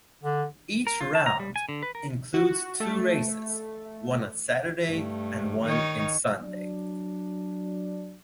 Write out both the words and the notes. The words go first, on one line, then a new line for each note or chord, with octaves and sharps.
Each round includes two races one on Saturday and one in Sunday.
D3
A#4
F4
A5
A#5
G3
G#5
D3
B4
A#4
F#4
A3
G2 A3
D#3 D#4 C#5
F#3 D4 D5